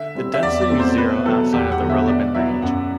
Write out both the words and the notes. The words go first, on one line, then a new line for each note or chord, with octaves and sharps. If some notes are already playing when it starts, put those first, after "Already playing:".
The density is zero outside of the relevant range.
Already playing: D3 E5
G3 C4 E4
E5
E2 D5
D5
C3 F#3 A3 C4
C5
B2 B4
F#3 B3 E4 A4
E2 G4
F#5
D3 F#3
E5
B2 D5
F#3 B3 E4 E5
F#2 F#5